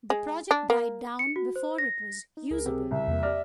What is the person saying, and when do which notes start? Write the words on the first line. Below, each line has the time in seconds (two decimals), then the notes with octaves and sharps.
The project died down before it was usable.
0.10 G#3
0.51 D4
0.70 A#3
1.19 C#7
1.36 F#4
1.56 C5
1.78 A#6
2.37 D#4
2.51 C#2 G#4 A#4
2.66 C3
2.91 C2 C#3 E5
3.07 E2 C3 A#3
3.23 G4 D5 F6 A#6